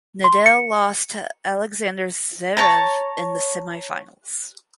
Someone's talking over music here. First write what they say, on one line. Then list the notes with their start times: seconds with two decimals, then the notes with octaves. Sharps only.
Nadal lost to Alexander Zverev in the semifinals.
0.24 C6
0.46 C#7
2.57 C#5 A5 A#5